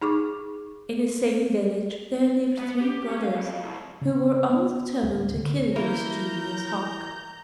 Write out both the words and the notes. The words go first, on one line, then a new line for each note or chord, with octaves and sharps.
In the same village there lived three brothers, who were all determined to kill the mischievous hawk.
D#4 G#4 C#6 D6
B3
G4
C#4
F5
F2
C2
C#3
B3
D1
D3
E3 A#3 E4 A#5 G6